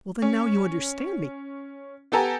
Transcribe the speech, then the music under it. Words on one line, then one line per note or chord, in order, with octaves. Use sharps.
Well then, now you understand me.
C#4
B3 G4 A4 G#5 A#5